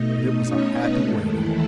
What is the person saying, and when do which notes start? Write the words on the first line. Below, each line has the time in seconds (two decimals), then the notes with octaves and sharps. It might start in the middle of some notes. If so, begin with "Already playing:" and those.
But it was a happy waiting.
Already playing: B2 A3 D#4 D#5
0.45 C#4 C#5
0.72 B3 B4
1.01 D#2 D#3 G#3 A3 A4
1.29 E3 E4